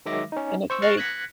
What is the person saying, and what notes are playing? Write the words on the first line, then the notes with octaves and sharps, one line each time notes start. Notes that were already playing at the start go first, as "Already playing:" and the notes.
and it's like,
D#3 F#3 G#3 E5 D6 A#6
C#4 D#4
C5 C#6 E6
C#6 F6 F#6 A6 A#6 C7
F#6 G#6 A#6 B6 C#7